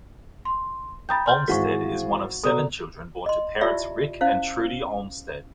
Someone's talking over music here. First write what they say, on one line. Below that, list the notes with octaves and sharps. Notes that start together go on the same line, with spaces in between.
Olmstead is one of seven children born to parents Rick and Trudy Olmstead.
C6
G5 A#5 B5 D#6 G6 A6
C6 F6 G6
G#1 E3 F#4 G#4 F#5 C#6
B2 B3 A4 D5 A#5 D#6
D#5 C6
E4 F4 G4 D5 E5
C#4 E4 C5 F5